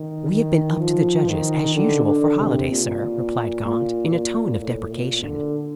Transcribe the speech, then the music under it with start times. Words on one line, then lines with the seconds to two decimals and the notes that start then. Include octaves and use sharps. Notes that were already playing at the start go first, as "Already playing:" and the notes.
"We have been up to the judges, as usual, for holiday, sir," replied Gaunt, in a tone of deprecation.
Already playing: D#3
0.32 D#3
0.80 F3
1.28 D#3
1.75 D3
2.06 D3
2.38 C3
2.70 A#2
3.65 A#2
4.12 A#2
4.60 A2
4.92 A#2
5.22 D3